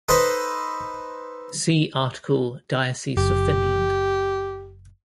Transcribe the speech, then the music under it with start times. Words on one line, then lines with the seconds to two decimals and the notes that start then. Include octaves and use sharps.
See article Diocese of Finland.
0.09 D#4 A4 B4 C5 D#5
3.17 F#1 G4